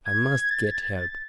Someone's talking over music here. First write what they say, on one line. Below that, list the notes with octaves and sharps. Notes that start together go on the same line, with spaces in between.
"I must get help."
G#6
A6
A6